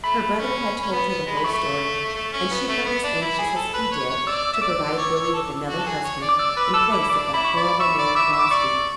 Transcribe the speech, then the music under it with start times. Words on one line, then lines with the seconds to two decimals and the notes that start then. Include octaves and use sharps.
Her brother had told her the whole story, and she felt as anxious as he did to provide Lily with another husband in place of that horrible man Crosbie.
0.03 A3 B5
0.38 C#4
0.82 C#4
0.92 B3
1.08 B3
1.26 G#3
1.37 B5
1.44 A3 C#6
2.15 A3
2.32 C#4
2.51 B3
2.68 A3
2.85 B3
3.03 D4
3.21 E4
3.39 G#4
3.56 A4
3.73 B4
3.92 C#5
4.10 C#5
4.26 D5 E6
4.53 E5
4.62 D5 D6
4.98 C#5
5.15 C#5
5.33 A4
5.68 F#4
5.78 A4
5.86 G#4
6.04 C#5
6.21 D5
6.29 D6
6.38 D5 E6
6.57 B4
6.73 A4 E6
6.86 E6
6.92 E4 D6
7.10 D4 D6
7.33 E4 B5
7.45 C#6
7.56 D5
7.79 E5 C#6
7.98 D5
8.15 E5 D6
8.32 E5
8.39 D6
8.50 D5 C#6